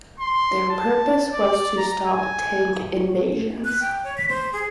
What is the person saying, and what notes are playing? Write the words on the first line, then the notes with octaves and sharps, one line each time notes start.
Their purpose was to stop tank invasions.
C6
A5
D5
A#5
G#5
F#6
G5
C#5
B6
C5
G#4